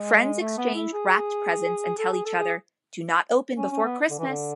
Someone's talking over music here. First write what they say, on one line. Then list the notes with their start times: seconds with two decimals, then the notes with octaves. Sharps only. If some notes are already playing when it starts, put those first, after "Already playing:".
Friends exchange wrapped presents and tell each other, Do not open before Christmas!
Already playing: G#3
0.40 A3
0.58 B3
0.75 E4
0.93 G#4
1.99 A4
2.12 G#4
2.25 A4
2.39 G#4
3.58 C#4
3.71 C#4
3.84 B3
4.10 D3
4.19 E3
4.27 D3